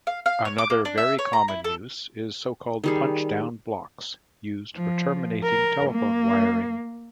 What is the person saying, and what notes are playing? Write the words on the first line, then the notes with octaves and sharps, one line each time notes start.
Another very common use is so-called punch-down blocks used for terminating telephone wiring.
F5
F5
C#5
D6
A#3
D4
E5
C#5
A#5
E4
A4
D#3 G3 G#4
F3
A#4
A#3